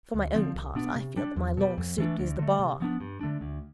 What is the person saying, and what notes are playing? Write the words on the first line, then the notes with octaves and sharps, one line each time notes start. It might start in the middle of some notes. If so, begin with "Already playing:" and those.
For my own part, I feel that my long suit is the Bar.
D2
D3 F3 C4
C2
B2 B3 D4
C3
G3 D4
E2
B2 G3
F2
E3 A3 D4
D2
D3 A3
C3
F3 B3 D4
G2
D3 A3 D4
D2